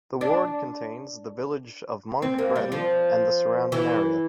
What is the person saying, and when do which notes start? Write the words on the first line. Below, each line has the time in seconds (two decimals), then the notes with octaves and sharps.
The ward contains the village of Monk Bretton and the surrounding area.
0.21 D4
2.22 C4
2.38 A#3
2.55 G3
2.72 F3
3.72 E3